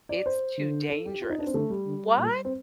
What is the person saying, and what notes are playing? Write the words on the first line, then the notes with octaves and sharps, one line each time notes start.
It's too dangerous." What?
D5
C5
D3
A4
G4
F4
D#4
D4
C4
D3 A3
G3
D3
A#2
C4